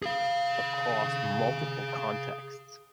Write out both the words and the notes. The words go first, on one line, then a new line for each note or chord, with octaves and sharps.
across multiple contexts.
G#4 F5